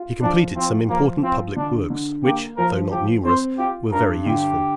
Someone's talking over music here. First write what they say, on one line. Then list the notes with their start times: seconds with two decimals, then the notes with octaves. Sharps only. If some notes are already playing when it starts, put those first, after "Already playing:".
He completed some important public works, which, though not numerous, were very useful.
Already playing: F4
0.22 F3 D4
0.56 C4 F4
0.89 F3 A#3
1.23 C4 F4
1.56 D3 D4
1.90 D3
2.24 A#3 G4
2.57 F3 A#4
2.91 F3 G4
3.25 C4 C5
3.58 F4 G4
3.92 G2 A#4
4.26 D3 G4